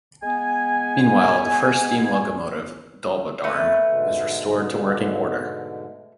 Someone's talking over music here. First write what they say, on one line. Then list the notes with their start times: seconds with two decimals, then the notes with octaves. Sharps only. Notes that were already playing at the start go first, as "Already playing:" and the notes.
Meanwhile, the first steam locomotive, "Dolbadarn", was restored to working order.
0.23 G#3 B3 G#5
3.44 F2 A3 A#4 B4
3.87 G#2 B2 D3